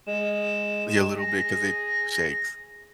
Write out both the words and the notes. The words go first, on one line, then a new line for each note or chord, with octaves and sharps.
Yeah, a little bit, 'cause it shakes.
G#3 E7
G#4 A#6